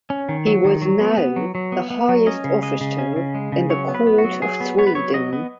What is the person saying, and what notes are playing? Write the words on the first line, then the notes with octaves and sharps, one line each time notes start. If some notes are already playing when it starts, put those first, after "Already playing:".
He was now the highest official in the court of Sweden.
C#4
D#3
F#3
D#3
F#3
B3
B3
F#3
F#3
B3
B3
F#3
C#4 D#5
C#3
G#3 D#5
C#3
C#4
C#3
G#3
C#3
F#3 C#5
B3
B4
B3
F#4
F#3
F#3 G#4
B3
B3 C#5
B4
F#3 C#5
F#3 D#5
B3